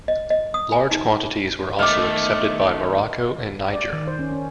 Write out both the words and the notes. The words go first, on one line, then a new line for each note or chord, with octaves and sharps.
Large quantities were also accepted by Morocco and Niger.
D#5
D#5
D#6
G#5
D#4
D#3 A3 D#5 D6 F6
D5
D#3
C5
C#4
C#4